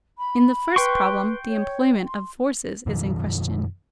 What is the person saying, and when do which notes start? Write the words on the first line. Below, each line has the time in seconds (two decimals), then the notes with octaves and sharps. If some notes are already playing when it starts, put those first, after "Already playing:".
In the first problem the employment of forces is in question.
0.18 B5
0.76 B4 G5 C6 C#6
1.49 C#5
2.06 C6
2.86 F#2 B2 D#3 F3